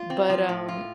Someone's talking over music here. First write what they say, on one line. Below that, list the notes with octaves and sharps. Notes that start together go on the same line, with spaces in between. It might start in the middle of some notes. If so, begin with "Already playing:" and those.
But, um
Already playing: F4
C4
F3
A2
F4